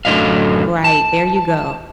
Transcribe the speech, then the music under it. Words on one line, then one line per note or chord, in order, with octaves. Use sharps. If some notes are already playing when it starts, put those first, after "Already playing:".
Right, there you go.
F#2 A2 D3 F#3 D#5 F5
A5